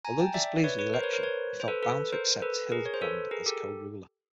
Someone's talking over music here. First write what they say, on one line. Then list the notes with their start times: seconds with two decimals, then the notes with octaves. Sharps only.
Although displeased with the election, he felt bound to accept Hildeprand as co-ruler.
0.05 G#5 A#5
0.20 G5 A5
0.34 D5 E5
0.64 B4 C#5
0.79 B4 C#5
0.94 A#4 C5
1.03 B4 C#5
1.13 A#4 C5
1.23 B4 C#5
1.60 C5
1.68 A4 B4
1.83 A4 B4
2.13 A#4 C5
2.42 A4 B4
2.72 G#4 A#4
2.85 C#5
2.94 C5
3.01 A4 B4
3.31 G#4 A#4
3.46 G4 A4